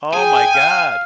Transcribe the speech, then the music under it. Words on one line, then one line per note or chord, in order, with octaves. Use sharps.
oh my god.
G#4 G5 G#5
F5